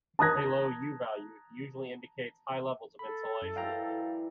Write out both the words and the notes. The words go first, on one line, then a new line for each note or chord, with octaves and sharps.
A low U-value usually indicates high levels of insulation.
A5 A#5 D#6 F#6 G#6 A#6
A4 B5
F#2 E4
F#2 E3 D5 F5 G5 A#5